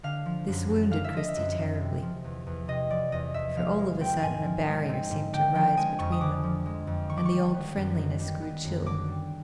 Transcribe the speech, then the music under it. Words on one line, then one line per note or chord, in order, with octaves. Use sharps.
This wounded Christie terribly; for all of a sudden a barrier seemed to rise between them, and the old friendliness grew chilled.
D3 F5
F3
F#2
F#2
D3 F5
E5
F3 D#5
E5
F#2
F#2
C3
F3
E2
E2
C3 D#5
F3 D5
E2 D#5
E2 E5
F3 F5
G#3
C4 G5
G#2 G#5
F3
G#3
C4
G#2
D3 G5
F3 G5
G#3 G#5
F2 C#6
D#6
D3 D6
F3
G#3
F2
D#3 C#6
D6
C#6
G3
B3
F#2
D#3
G3
B3
F#2
D3 D6
G3